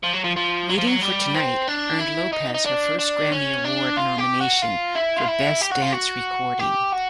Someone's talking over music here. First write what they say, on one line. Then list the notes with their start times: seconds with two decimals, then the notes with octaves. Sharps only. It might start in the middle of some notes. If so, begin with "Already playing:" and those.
"Waiting for Tonight" earned Lopez her first Grammy Award nomination, for Best Dance Recording.
0.03 F3
0.13 F#3
0.24 F3
0.36 F3
0.69 F#3
0.78 F3
0.87 F#3
1.02 G3
1.35 C4
1.68 D4
2.00 E4
2.33 D#4
2.54 D#4
2.66 D4
2.99 D4
3.32 C#4
3.64 D4
3.97 F4
4.19 G4
4.41 F#4
4.62 F4
4.96 E4
5.17 F4
5.28 E4
5.61 G4
5.72 F#4
5.82 F4
5.92 F#4
6.60 G4
6.93 F#4